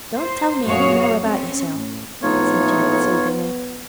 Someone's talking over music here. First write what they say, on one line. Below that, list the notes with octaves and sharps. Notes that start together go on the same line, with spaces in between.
"Don't tell me any more about yoursel," said Jem, soothingly.
C5
F#2 A#2 F#4 G#4 C#5 F5
C4 C#4
A2
A#1 A2 A3 B3 D#4 F4 C#5